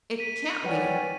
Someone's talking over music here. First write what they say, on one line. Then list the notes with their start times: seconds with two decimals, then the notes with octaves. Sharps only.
"It can't be."
0.19 B6 D#7
0.64 C#4 B4 C#5 D5 F#5 G5